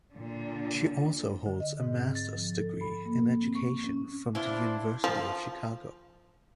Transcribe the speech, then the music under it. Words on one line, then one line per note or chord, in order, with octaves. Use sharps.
She also holds a master's degree in education from the University of Chicago.
A#2 D3
D3
D#5
G#2
C4
A6
F3
A4
B5
A#3
C4
C#6
C#4
D4 E4 C5 F5
F3